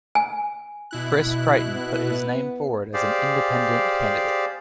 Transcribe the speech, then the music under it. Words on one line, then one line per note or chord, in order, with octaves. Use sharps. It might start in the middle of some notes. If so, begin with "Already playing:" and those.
Chris Creighton put his name forward as an independent candidate.
G#5
B2 E4 F#6
B3
G4 G#4 C5 D5 F5